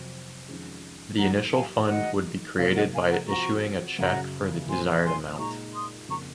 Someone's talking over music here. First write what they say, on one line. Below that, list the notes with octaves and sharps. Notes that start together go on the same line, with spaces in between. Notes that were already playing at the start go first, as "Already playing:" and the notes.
The initial fund would be created by issuing a cheque for the desired amount.
Already playing: F2 C3 F#3 C4
F2 D#3 G#3 C#4
G#2 D#3 F#3 A#3 F#5 A#5
F5 G#5
D#3 G#3 D#4 F#4 D#5 F#5
C3 F#3 A#3 C#5 F5
D#5 F#5
F5 G#5
F#5 A#5
F3 C4 F#4 A#5 C#6
F#2 C#3 F#3 F#5 A#5
A#2 F3 C4 G#5 C6
G#5 C6
D#6
A#2 G#3 D#4 A#5 C#6
C6 D#6
F2 C#3 F3 A#3 A#5 C#6